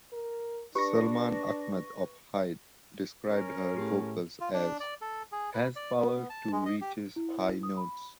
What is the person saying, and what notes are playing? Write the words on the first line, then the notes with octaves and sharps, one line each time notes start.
Salman Achmad of "Hai" described her vocals as "has power to reaches high notes".
A#4
D4 G4 B4 C#6 A#6
C#4 A#4
A2 G4 G#4
F4
D4
D5
A4
G#4
B4
D5
B3
A5
G#3
D#5
G4
E4
D#6
B5